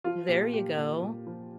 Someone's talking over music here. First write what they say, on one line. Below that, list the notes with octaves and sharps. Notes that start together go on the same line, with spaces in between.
There you go.
F3 F4
A#2 G4
A#2 G4
A#2
A#2
F3